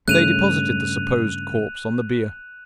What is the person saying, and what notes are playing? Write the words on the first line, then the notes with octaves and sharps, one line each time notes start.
They deposited the supposed corpse on the bier.
G2 C#3 A3 F#6 D#7 F7